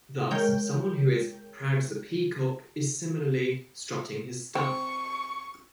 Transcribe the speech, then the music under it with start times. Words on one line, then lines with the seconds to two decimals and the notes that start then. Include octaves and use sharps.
Thus, someone who is "proud as a peacock" is similarly "strutting his stuff".
0.31 G#3 A#4 C#5 G5 G6
4.55 C4 C#6